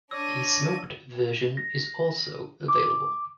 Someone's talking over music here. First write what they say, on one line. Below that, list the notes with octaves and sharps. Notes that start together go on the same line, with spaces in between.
A smoked version is also available.
D4 C#5 D5 E6 A#6 D#7
A#6
D6